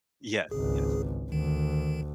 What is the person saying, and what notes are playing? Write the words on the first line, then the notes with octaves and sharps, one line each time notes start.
Yeah. Yes.
G#1 C#2 G#4
D2 D#3